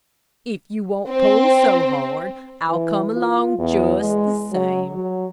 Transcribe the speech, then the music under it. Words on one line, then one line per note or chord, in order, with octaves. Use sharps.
If you won't pull so hard I'll come along just the same.
C4
E3
F4
E2
G#3
F#3
F#3